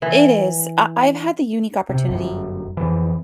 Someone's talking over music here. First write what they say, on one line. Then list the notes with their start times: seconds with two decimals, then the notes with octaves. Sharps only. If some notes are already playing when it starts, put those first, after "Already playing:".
It is, I I've had the unique opportunity
0.02 E3
1.89 C3
2.08 G1 F#2
2.77 F2 E3